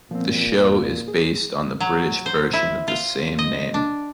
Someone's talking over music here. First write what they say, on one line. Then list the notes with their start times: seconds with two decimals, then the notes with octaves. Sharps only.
The show is based on the British version of the same name.
0.11 A#2 F3 B3 C4
0.60 E2
1.08 G#4
1.80 F#3
2.26 C5
2.53 E4
2.88 F4
3.39 D#5
3.74 D4